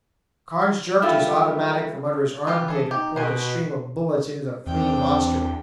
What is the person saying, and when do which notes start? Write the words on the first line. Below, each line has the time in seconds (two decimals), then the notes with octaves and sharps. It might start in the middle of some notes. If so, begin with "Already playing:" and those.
Carnes jerked his automatic from under his armpit and poured a stream of bullets into the fleeing monster.
1.02 F#3 G3 A3 B3 E4 F4
2.47 E3 F4 G4 B4
2.68 G#4 A4
2.91 D#4 G4
3.16 B2 B4 C5 G#5
4.67 E2 C4 D4 G5